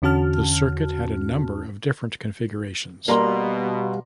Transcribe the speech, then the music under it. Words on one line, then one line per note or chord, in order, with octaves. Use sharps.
The circuit had a number of different configurations.
E2 D3 C#4 F#4 A5 F6
B2 G3 A#3 G4 D5 F5 A#5 C6